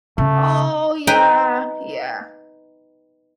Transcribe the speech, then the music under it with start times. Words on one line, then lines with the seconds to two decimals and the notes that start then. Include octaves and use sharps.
Oh yeah, yeah,
0.18 C#3 A3
1.07 D#4 B4 G5